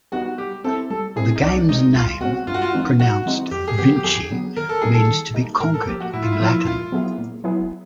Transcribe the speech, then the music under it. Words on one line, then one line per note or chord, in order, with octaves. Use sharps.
The game's name, pronounced "Vinchi", means "to be conquered" in Latin.
G3 B3 D#4 F#4
G3 G4
C4 E4 A4
G3 A4
C4 E4 G#4
D#4
C2 D4
B2 G#3 C4 D#4
C2 F4
B2 G#3 C4 F#4
G2 F4
F#4
F4
E3 G#3 C4 D#4
G2 F#4
E3 G#3 C4 D#4
F2 G4
G#4
D3 F#3 B3 G4
G4
F2 G#4
D3 F#3 B3
D#3 A#4
A4
G3 A#3 D#4 G#4
A4
D#3
G3 A#3 D#4
A2 A#4
A4
F3 A#3 G4
F#4
A2 E4
F4
E4
F3 A#3 F4
E4
A#2 F4
F#3 B3 E4 G#4
A#2
F#3 B3 E4 G#4